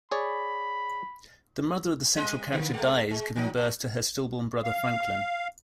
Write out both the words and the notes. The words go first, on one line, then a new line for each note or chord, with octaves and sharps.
The mother of the central character dies giving birth to her stillborn brother Franklin.
G#4 C#5 D5 B5
G3 D#5
D3 A#3
G#3 A3
G#3
E3 F#3 D#4
A#2
F5